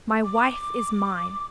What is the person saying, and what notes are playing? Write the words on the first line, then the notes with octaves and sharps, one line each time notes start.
My wife is mine.
D6